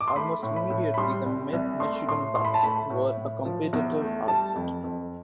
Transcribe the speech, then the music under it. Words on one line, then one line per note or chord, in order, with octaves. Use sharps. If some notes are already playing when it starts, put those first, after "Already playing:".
Almost immediately, the Mid-Michigan Bucks were a competitive outfit.
D6
C6
A3 B5
A2
B5
A2
B5
G3 C6
C2
C2
A3 C6
A2 C6
A2 C6
B5
A5
A3 B5
A2
A2
F3
E2
A3
G3 A5
F2
F2